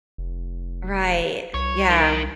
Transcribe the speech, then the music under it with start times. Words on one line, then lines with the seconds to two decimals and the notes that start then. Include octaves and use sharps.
Right. Yeah.
0.18 F1
1.54 C2 C#5
1.90 D#3